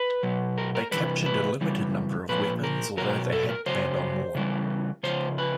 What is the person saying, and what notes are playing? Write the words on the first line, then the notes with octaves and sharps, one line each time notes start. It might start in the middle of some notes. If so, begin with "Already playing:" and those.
They captured a limited number of weapons, although they had planned on more.
Already playing: B4
B2 F#3
A#4
A#4
C3 E3 G3 B4
B4
C#3 E3 G3
A#2 F3 B4
A#4
B2 F#3 A#4
A4
A#4
C#3 F#3 C5
C#3 E3 G3
C#3 F3 C5
B4